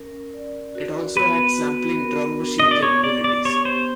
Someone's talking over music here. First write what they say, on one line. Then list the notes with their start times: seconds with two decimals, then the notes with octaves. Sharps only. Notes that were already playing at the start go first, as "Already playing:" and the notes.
It also had sampling drum machine capabilities.
Already playing: C#4 A#4
0.34 D5
0.75 F#4
1.17 B3 B4
1.58 F#4
2.00 A#4
2.42 D4
2.60 D#5
2.71 D5
2.83 B3 C#5
3.04 D5
3.24 G4 D5
3.45 C#5
3.65 B3 C5